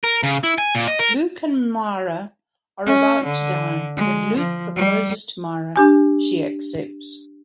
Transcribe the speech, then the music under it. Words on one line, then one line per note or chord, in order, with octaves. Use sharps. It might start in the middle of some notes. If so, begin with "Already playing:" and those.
Luke and Mara are about to die, when Luke proposes to Mara, she accepts.
A#4
C#3
E4
G#5
A#2
D#5
A#4
C#4
D3
G#3
F3
G3
D4 G4 G#5